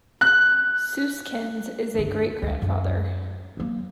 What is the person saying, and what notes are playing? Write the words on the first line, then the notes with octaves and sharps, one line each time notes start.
Susskind is a great-grandfather.
F#6
G1 D3
D2
F#2
F#3 A#3